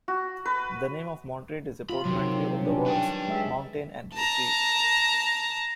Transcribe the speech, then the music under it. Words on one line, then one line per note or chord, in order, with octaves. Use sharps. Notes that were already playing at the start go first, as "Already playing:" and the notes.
The name of Montreat is a portmanteau of the words "Mountain" and "Retreat".
F#4
B4
F4 B5
C3 D#3 F#3
G3 C#4 D4
B4 G5
G#3 E5
A5 A#5